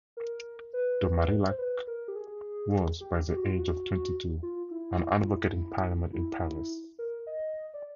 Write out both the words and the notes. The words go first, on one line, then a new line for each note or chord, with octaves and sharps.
De Marillac was, by the age of twenty-two, an advocate in parliament in Paris.
A#4
B4
C5
B4
A#4
G4
G#4
G4
G4
F#4
F4
F#4
F4
E4
F4
E4
E4
A#4
D#5
D5